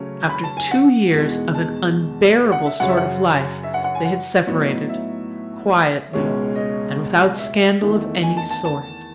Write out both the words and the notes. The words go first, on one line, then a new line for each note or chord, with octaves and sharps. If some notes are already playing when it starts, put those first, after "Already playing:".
After two years of an unbearable sort of life they had separated--quietly, and without scandal of any sort.
Already playing: C#3 F#3 A3 C#4
B5
A5
G#5
F#5
E2 B2 G#3 D#4
A5
F#5
E5
F#2 C#3 F#3 C#4 F#5
E5
F#5
E5
F#5
F#5
G#5
F#5
A2 F#3 B3 D#4
E5
C#2 B2 G#3 C#4
D#5
E5
E2 D#3 A3 D#4
G#5
A5
A5
A5